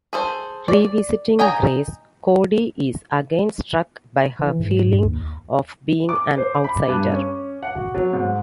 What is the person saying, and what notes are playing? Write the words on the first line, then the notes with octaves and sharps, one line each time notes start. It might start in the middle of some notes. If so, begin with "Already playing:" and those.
Re-visiting Grace, Codi is again struck by her feeling of being an outsider.
G#4 A4 C5
D5
D#5 G5 G#5 A#5
E3
G#2
G2
D#2
D6
C5
B5
G2
C#4
F#5
F#4
F#3
G#2